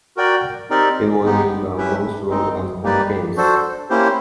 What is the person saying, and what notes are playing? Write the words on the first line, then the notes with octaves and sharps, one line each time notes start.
It was used on both road and home games.
F#4 A#4 D5 G5
C4 D#4 G4 A#4 D5
G#3 B3 D#4 G4
C#4 E4 G4 B4 E5
G#3 C4 D#4
A#3 D#4 G4 B4 D5
D4 F#4 A4 C5
A#3 C#4 E4 G4 C5